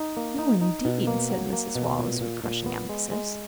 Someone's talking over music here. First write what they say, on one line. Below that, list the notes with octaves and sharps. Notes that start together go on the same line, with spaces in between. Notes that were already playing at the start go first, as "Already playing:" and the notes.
"No, indeed," said Mrs. Wallace, with crushing emphasis.
Already playing: D#4
A#3
D#4
D#4
B2
A#3
F#3
A#3
B2
A#2
A#2
A#2
B3
G#3
G#3